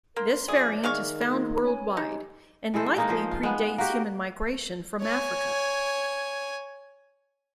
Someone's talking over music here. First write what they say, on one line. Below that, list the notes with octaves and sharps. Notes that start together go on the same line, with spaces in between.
This variant is found worldwide, and likely predates human migration from Africa.
A#3 A#4 A#5 C6
F3 G#4 D5 E5 D6
D#3 G#3 F5 C#6
A#3 D#4 F4
C#4 C#5 G#5
D#4 G4
E3 G#3 A4 C5
G#3 A#3 D#4
F3 C5
F4
G#3 B3
A#3 F#4 G4
C#5 G#5